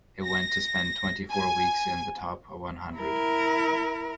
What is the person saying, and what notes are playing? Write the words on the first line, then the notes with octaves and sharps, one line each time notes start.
It went to spend twenty-four weeks in the top one hundred.
A#6
G#5
E4 A#4